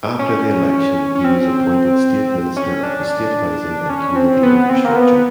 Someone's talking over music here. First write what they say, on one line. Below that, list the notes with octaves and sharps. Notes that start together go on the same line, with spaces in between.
After the election he was appointed State Minister of Estate Housing and Community Infrastructure.
C#4
C#4
C4
C#4
D4
C#4
C4
B3
C4
A#3
B3